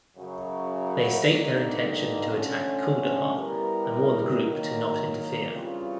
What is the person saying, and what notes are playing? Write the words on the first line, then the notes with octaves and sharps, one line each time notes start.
They state their intention to attack Kuldahar, and warn the group to not interfere.
F#2 C#3 F#3
G2 D3 G3 A#3 D#4
D3 F3 A3 C#4
G3 B3 E4 G4 A#4
D#3 F#3 A#3
C#3 E3 G3 C4 F4